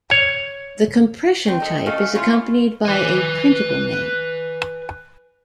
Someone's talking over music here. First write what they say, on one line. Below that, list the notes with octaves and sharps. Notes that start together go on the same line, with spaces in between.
The compression type is accompanied by a printable name.
C#5
F#3 C4
D#4 A4
A3 C#4 A4 D#5 F5 G#5
A3 C#4 E4 F4
B4 G#5